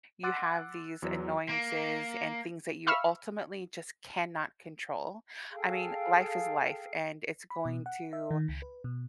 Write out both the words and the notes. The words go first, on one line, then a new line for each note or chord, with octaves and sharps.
you have these annoyances and things that you ultimately just cannot control. I mean, life is life, and it's going to, eh, eh,
F#5 C6 D6 E6 F#6 A6
E2 F#3
A#3
E5 F5 B5 C#6 E6 F6
G#4 A4 F5 G5
B5
B2
F#5
E5
D#3
C#2
B4
B2